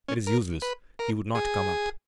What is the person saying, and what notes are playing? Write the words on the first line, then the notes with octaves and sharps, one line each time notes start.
"It is useless; he would not come up."
C#4
A#4
B4
A#4
G#4